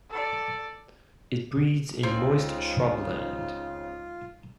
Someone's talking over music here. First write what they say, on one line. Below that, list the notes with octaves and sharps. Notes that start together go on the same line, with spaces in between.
It breeds in moist shrubland.
A4 D5
C#2 C#3 C4 D#4 F4